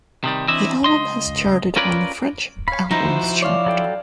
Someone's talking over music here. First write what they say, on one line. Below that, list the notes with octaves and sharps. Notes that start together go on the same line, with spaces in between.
The album has charted on the French Albums Chart.
C3 D#3 G3
E3 C4 D4 E4 D#5 E5
C#2 D#5 C6
C#4 F4 A#4 B4 C#5 D5
C#5 F5 B5
F3 D#4 E4 F#4 C5
C#5 D5 F5 C6
F#3 A4 G5